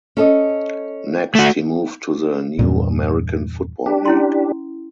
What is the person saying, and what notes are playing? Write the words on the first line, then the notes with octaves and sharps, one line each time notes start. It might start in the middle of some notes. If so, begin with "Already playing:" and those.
Next, he moved to the new American Football League.
C#4 A4 D#5
A3 F#4
E2 G2 A#2
D4 G4
C#4 E4 C6